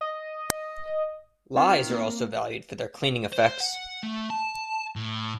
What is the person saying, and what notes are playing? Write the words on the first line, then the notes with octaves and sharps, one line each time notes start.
Lyes are also valued for their cleaning effects.
D#5
D#3 G3 C4 F4
A#3
C5
F#5
A3
A5
A2